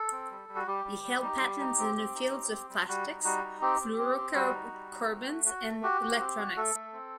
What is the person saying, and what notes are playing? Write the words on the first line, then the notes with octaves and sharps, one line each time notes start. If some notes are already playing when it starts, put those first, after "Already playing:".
He held patents in the fields of plastics, fluorocarbons, and electronics.
Already playing: A4
C4
G3
G3
F#4
G3 G4
G3
G3
D#4
G3
D#4
C4
C4
D#4
C4
C4
G3
G3 F#4
D#4
G3 F#4
D#4
C4 G4
C4
C4
C4
G3 F#4
D#4
G3
D#4
C4
A3
F#4
A3
F#4 G4
F#4
C4
F#4
A3 A4
A3
C4